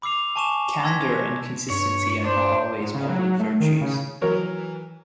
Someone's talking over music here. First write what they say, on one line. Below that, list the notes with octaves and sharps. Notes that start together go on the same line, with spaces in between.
Candor and consistency are not always public virtues.
B5 D6 E6 C7 F7
G#5 A5 C#6 D6 E7
C6 E6 G#6 A#6 B6
G2 C#5
D4 C5
G#2
C#3
F#3
A3
D#3
C#3
E3 F#3 A#4 C#5